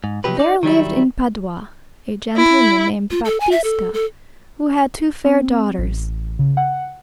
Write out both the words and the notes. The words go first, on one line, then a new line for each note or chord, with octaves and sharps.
There lived in Padua a gentleman named Baptista, who had two fair daughters.
G#2
C3 F3 F#3 G4 B4
D#4 D5
D#3 F#3 G3 E4
E4
F4
A4
G#5
E5
A4
A4
C4
A1
C#3
F#5